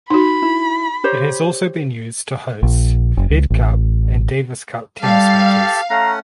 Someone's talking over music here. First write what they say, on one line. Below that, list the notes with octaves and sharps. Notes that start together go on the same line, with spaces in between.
It has also been used to host Fed Cup and Davis Cup tennis matches.
D#4 F#4 B5
E4
G4 C5 C#5
A#1
F#1
C#2
A1
G3 G4 A4 F5 A5
A3 C#4 F5 F#5 A#5